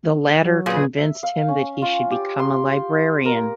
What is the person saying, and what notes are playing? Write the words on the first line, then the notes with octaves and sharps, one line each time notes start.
The latter convinced him that he should become a librarian.
F#3
A#2 C#3 G#4 B4
E5
F5
C#4
F4
G4
C6
A#4